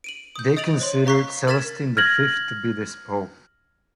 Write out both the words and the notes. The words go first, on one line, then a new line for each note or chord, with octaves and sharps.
They considered Celestine the Fifth to be this Pope.
D7 D#7 F#7
D#6 G6
D#5 D#6 A6 D7 F7 F#7
C5 C#5 C6
F5 A#5 C#6 F#6 B6 C7
A#4 F6 G#6 A6 B6 E7
F6 G#6 A#6 F#7